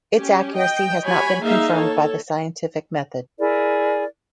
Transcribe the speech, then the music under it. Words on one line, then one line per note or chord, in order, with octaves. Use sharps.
Its accuracy has not been confirmed by the scientific method.
C#4 G4
D#5 G5
F#4 G4 C#5 G#5 B5
A#3 D#4 G#4 E5 F5
A4 C#5
E4 G#4 A#4 D5